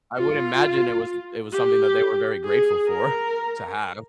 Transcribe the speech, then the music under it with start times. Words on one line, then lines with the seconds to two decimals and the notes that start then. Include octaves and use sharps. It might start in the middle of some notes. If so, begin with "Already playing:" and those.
I would imagine it was it was something that they were very grateful for to have.
0.18 F4
1.53 G4
2.44 G#4
2.88 A#4